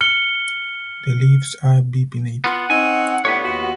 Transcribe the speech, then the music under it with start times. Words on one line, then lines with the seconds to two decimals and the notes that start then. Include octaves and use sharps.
The leaves are bipinnate.
0.01 F6 C#7 G7
2.44 B3 F4 F#5
2.70 C4 C#4 D#4 G#5
3.25 A2 B3 D4 G4 C#5
3.44 D#2 F4 F#4